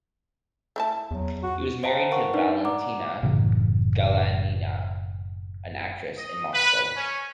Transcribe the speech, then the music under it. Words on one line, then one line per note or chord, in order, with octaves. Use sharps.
He was married to Valentina Galanina, an actress in Moscow.
A3 E4 A5
E2 F#3
F#4
C5 D#5 F5 G5 A5 A#5
A#4 F#5 C#6
D4 D#4 B4 D5
D5 F#5 A#5 D6
F#1 A2 C#3 E3
D#5
B4
C#4